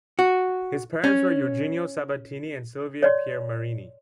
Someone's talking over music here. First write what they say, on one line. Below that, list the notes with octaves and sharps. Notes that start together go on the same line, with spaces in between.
His parents were Eugenio Sabbatini and Silvia Piermarini.
F#4
C#4
C#5 D5 C6